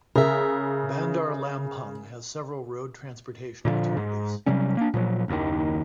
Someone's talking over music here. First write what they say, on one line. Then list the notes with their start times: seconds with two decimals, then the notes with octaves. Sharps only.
Bandar Lampung has several road transportation alternatives.
0.16 C#3 A#4 E5
3.65 A#2 D3 E3 F3
3.97 G#2
4.46 C3 F#3 G3 C#4
4.77 A#3 D4
4.94 A#2 F3 F#3
5.28 F#1 D#2 D#3